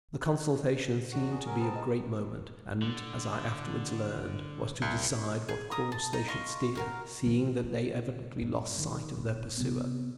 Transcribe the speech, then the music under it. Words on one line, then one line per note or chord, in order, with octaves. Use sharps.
The consultation seemed to be of great moment; and, as I afterwards learned, was to decide what course they should steer, seeing that they evidently lost sight of their pursuer.
E2 F#4
G#4
F#3 C#4 A#4
B3 C4 A#4 A5
D#5
D3
C2
G#4
A#4 A#5 D#6
A5
D#4 A#5
D#5 F5 C6 C#6
F#4 A#4 F5
E3 F3
F4
G2
D#3
D#1
C3 B3